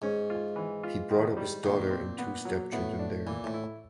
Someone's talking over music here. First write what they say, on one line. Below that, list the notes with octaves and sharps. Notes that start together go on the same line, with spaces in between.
He brought up his daughter and two stepchildren there.
G#2 C#4
F4
E3
F4
D#3
G3
A#2 D#3
C4
B3
F#3
A2 B3
D4
A#2 E3
A2
E4